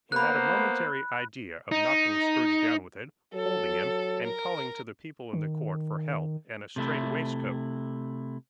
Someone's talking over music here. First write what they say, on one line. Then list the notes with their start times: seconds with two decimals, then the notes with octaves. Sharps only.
He had a momentary idea of knocking Scrooge down with it, holding him, and calling to the people in the court for help and a strait-waistcoat.
0.12 A#3 B3 C5 B5 F#6
1.72 D#4
3.34 F#3 A4
4.24 A#4
5.33 D#3
6.76 C3 A3 E4